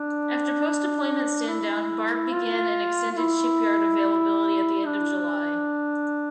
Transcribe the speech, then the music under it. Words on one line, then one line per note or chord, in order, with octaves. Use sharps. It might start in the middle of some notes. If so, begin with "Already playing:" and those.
After post-deployment standdown, "Barb" began an extended shipyard availability at the end of July.
Already playing: D4
E4
F4
F4
E4
D4